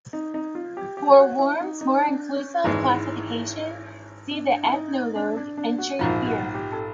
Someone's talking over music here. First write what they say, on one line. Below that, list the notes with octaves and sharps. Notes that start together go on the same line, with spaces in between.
For Wurm's more inclusive classification, see the Ethnologue entry here.
D#4
D#4
F4
G4
G4
F#4
E4
D#4
D#4
D4
C#4
G#1 G#2 E3 G#3
D4
E4
D#4
D4
D4
D4
F#4
A#1 G#2 F3 F#4
F#4
G4
A4